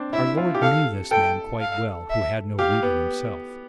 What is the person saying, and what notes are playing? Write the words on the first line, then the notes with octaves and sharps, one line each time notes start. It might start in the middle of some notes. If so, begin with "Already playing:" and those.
Our Lord knew this man quite well who had no root in himself.
Already playing: C4 D4
E4 E5
F4
G4
A4 F5
A4 G5
F5
E5
G4 F5
B3